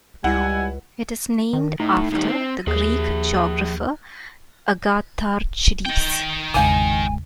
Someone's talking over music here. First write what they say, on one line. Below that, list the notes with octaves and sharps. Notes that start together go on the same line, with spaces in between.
It is named after the Greek geographer Agatharchides.
C#2 G3 E4 F#5 G#5
D#3
A2 D#4
A2 D#3 G3
C4
D#2 F3 G#4
D#3 G5
G#1 E2 C#3 G#3 G#5